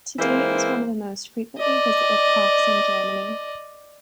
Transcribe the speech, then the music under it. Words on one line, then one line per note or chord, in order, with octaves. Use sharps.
Today it is one of the most frequently visited parks in Germany.
E3 G#3 A#3 C4 C5
D5 D#5